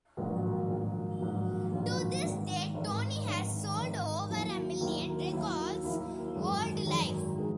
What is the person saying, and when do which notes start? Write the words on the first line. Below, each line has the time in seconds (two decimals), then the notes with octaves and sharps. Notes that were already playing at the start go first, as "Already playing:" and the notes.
To this date Tony has sold over a million records worldwide.
0.17 A#1 G#2 D#3 F#3 A#3
0.68 A#1 G#2 D#3 F#3 A#3
1.19 A#1 G#2 D#3 F#3 A#3
1.71 A#1 G#2 D#3 F#3 A#3
2.23 G#1 G#2 D#3
2.74 G#1 G#2 D#3
3.25 G#1 G#2 D#3
3.77 G#1 G#2 D#3
4.28 D#2 D#3 F#3 A#3 E4
4.80 D#2 D#3 F#3 A#3 E4
5.32 D#2 D#3 F#3 A#3 E4
5.83 D#2 D#3 F#3 A#3 E4
6.35 G#1 F#2 D#3 G#3
6.86 G#1 F#2 D#3 G#3
7.38 D#3 G#3